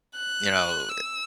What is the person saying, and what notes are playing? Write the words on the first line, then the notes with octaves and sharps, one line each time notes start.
you know,
F#6
E6